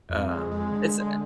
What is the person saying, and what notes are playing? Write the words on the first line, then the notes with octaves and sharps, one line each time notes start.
um, it's, uh
F2
G#3
G#3
D3
G#3